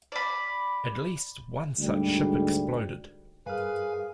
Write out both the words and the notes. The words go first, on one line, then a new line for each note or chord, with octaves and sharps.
At least one such ship exploded.
D5 B5
D2 G#2 G3
G2 G#4 A#4 B4 F5 G#5 F6